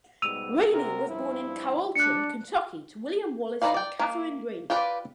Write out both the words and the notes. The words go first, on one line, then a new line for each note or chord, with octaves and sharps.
Raney was born in Carrollton, Kentucky, to William Wallace and Katherine Raney.
G#2 B2 G3 E6 D#7 F7
C3 F#4 A#4
G2 F3 E4
D4 F#6 C#7
D#4 E4 B4 D5 F5
D5 G5
A#3
F4 G4 B4 D5